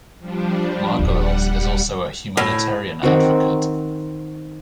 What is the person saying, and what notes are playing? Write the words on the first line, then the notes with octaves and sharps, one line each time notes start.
Margolyes is also a humanitarian advocate.
F3 G3 D4
D#1 E2 G3 F#5
A2
D#3 C4 F#4